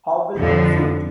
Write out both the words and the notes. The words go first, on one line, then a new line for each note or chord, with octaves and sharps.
How will that suit?
F2 D3 F3